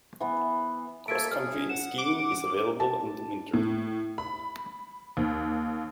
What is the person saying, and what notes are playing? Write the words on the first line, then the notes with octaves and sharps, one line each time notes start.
Cross-country skiing is available in the winter.
E3 B3
A#3 A4 E5 G#6 D7
G#4 F6
F#5 E7
D6 D7
A5
A2
B5
D#2